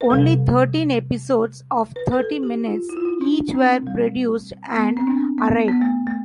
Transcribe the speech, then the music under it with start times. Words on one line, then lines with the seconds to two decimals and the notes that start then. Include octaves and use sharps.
Only thirteen episodes of thirty-minutes each were produced and aired.
0.01 B4
0.10 E2 C3 G3 A4
1.96 B4
2.11 B4
2.19 A4
2.43 G4
2.67 F4
2.89 E4
2.97 F4
3.05 E4
3.21 D4
3.51 C4
3.83 B2 G3
4.75 B3
4.97 C4
5.07 D4
5.38 B3
5.68 B3
5.81 A3
6.07 A3